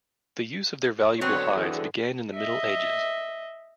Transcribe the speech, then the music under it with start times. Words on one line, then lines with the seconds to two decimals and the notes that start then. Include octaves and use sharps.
The use of their valuable hides began in the Middle Ages.
1.21 D3 F#3 B3 C4 C#5
1.55 D3 E3 G#4
2.34 D#5 E5